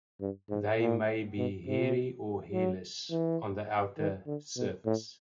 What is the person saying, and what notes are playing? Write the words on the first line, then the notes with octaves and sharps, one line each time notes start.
They may be hairy or hairless on the outer surface.
G2
G#2
A#2
B2
C3
F#3
E3
D#3
D3
B2
A2